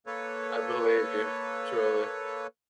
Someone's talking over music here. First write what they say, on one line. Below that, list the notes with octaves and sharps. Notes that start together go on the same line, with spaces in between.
I believe you, truly.
A#3 A4 B4 C#5